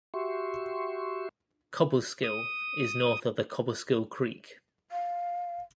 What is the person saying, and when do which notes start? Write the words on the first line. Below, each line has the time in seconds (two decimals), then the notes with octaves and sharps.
Cobleskill is north of the Cobleskill Creek.
0.14 F#4 G4 E5 C6 C#6
2.24 D#6
4.92 F5